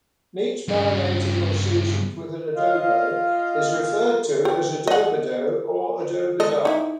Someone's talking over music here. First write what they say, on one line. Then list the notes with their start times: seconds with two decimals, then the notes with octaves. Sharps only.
Meat marinated or seasoned with an "adobo" is referred to as "adobado" or "adobada".
0.68 G2 C#3
2.56 F4 D#5 F5
4.45 G4
4.87 D#5 F#5
6.40 G#3 A4 D#5
6.65 D#4 E4